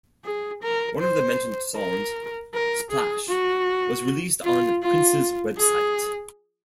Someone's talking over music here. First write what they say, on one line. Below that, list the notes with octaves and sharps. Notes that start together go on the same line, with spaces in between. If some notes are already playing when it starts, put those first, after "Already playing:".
One of the mentioned songs, "Splash" was released on Prince's website.
G#4
A#4
C5
A#4
A#4
G#4
F#4
F4
F4
G#4